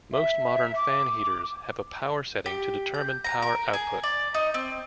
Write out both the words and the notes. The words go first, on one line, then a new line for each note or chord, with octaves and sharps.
Most modern fan heaters have a power setting to determine power output.
E5
D6
G4
G6
A#5
A#4
G#4
D5
D#4
C4